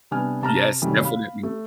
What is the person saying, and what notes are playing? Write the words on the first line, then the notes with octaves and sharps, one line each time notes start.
Yes, definitely.
C3 G3 B3 D4 G#5 F6
C3 A5 A#5 F6
F#2 C3 D#3 G3 A3 C#4
F5 B5
A3